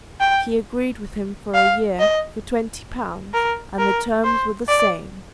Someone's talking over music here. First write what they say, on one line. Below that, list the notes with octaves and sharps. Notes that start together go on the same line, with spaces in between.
He agreed with him for a year for twenty pounds, and the terms were the same.
G5
F5
D#5
A#4
A#4
C5
D5